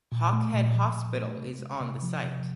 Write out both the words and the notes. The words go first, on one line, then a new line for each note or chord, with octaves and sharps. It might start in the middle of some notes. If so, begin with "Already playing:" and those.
Hawkhead Hospital is on the site.
A#2
A3
A#2
F3
A#2
A3
C3
G#3
C3
F3
C3